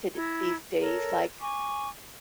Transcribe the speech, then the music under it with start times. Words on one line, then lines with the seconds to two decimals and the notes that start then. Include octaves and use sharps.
to d these days? Like,
0.15 E4 A#5 G#6
0.80 A4 A#4 C#5
1.40 G#5 C#6 D6